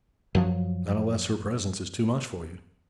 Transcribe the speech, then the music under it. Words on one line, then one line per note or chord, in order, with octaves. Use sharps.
'Not unless her presence is too much for you?'
F#2 F3 F#3